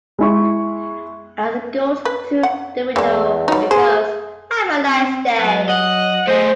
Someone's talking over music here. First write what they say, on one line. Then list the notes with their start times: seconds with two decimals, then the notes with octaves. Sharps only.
As it goes through the windows it goes 'Have a nice day.
0.19 G#3 E4 C#6
2.05 B4
2.43 F#5
2.96 E2 E3 G#3
3.48 F#3 G3 D#4
3.71 G#4 C5
4.81 C4
5.38 F#3 B3
5.69 D#5 F#5
6.28 A3 G#4 C5 D#5